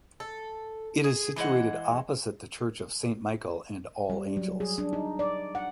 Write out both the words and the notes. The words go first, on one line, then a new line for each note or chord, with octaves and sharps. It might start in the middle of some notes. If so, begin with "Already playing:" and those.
It is situated opposite the Church of Saint Michael and All Angels.
A4
G#4
E3 G#3 C5 F#5
G3
F#3
G#4
D4
D#4
D5
F#5